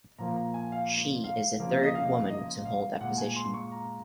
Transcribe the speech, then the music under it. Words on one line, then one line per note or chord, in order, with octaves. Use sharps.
She is the third woman to hold that position.
A#2 F3 A#3 A#5
A#5
G#5
F5
F5
C#3 F3 A#3
D#5
F5
D#5
F5
A#2 G#3 F#5
G#5
C6
C#6
A#5